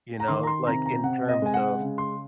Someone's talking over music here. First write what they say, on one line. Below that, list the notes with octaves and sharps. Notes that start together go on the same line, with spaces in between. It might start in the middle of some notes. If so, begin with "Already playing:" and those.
you know, like, in terms of,
A#5
D#3 C6
A#5
C6
C3 A#5
A#5
C3 F#5
D#5
G#3 G#5
F#5
C#3
C6